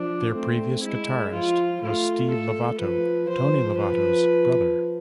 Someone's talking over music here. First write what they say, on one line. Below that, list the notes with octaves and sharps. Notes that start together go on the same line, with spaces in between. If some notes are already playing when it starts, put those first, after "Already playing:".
Their previous guitarist was Steve Lovato, Tony Lovato's brother.
Already playing: F3 D4
A3 C4
G#3 E4
F3 F4
A3 F4
A4
F3 B4
F3 C5
B4